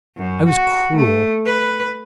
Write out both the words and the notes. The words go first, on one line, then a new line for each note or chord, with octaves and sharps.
I was cruel!
F#2
F#4
A3
B4